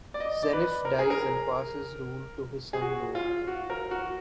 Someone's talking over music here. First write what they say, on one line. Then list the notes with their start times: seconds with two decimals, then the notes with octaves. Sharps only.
Zeniff dies and passes rule to his son Noah.
0.14 D5
0.20 D#5
0.43 D5
0.53 B4
0.85 A#4
0.99 G#4
1.10 A#4
2.73 G#4
2.81 F#4
3.15 F4
3.47 F#4
3.70 A#4
3.91 F#4